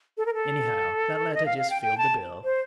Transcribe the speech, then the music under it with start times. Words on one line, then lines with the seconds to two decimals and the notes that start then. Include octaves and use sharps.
Anyhow, that letter just filled the bill.
0.18 A4
0.26 A#4
0.34 A4
1.34 D#5
1.46 F5
1.58 F5
1.70 G5
1.82 G5
1.98 A5
2.44 C5